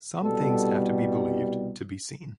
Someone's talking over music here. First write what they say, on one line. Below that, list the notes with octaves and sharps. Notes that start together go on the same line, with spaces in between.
Some things have to be believed to be seen.
C2 B2 G3 A4